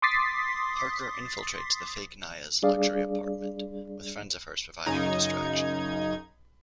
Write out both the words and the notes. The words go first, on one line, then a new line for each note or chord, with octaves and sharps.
Parker infiltrates the fake Naia's luxury apartment, with friends of hers providing a distraction.
C6 D6 D#6 A6 B6 C7
G3 D4 G#4 D5 F5
F#2 C#3 D#4 G#6